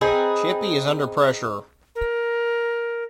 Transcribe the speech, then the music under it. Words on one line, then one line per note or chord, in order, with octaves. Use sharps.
Chippy is under pressure.
C4 D#4 G#4 B4
A#4